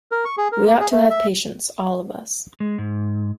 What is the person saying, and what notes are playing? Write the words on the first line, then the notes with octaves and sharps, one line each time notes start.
We ought to have patience, all of us.
A#4
C#6
G#4
A#4
A#3
G#4
A3
E5
G#3
G#2